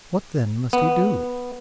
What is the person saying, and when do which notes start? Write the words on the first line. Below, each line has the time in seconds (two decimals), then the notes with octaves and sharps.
What then must he do?
0.73 B3